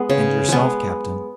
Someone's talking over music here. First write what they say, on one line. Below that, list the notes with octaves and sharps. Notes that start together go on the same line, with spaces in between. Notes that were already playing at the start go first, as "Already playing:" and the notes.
"And yourself, captain?"
Already playing: G#3 B3
C#3
G#3 B3